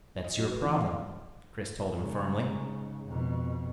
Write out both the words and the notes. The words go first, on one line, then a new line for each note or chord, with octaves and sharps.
"That's your problem," Chris told him firmly.
D#5
F#3
B4
E3
F5
G#2 C#3
F2 B2